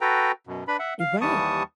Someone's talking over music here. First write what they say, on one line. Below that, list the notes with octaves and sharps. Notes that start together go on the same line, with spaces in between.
You right.
F#4 A4 B4 G5 A#5
F#2 B2
D4 B4 B5
E5 F#5
F5
D#2 E3 G3 A5 C#6 D#6